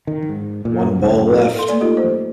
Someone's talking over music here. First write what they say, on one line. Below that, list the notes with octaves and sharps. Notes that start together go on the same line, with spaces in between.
One ball left.
D#3
G#2
A#2
C#2
F#2
A4 C6
A3 A#3 D5
A3 D#4 F4 G4 A4 D#5
C5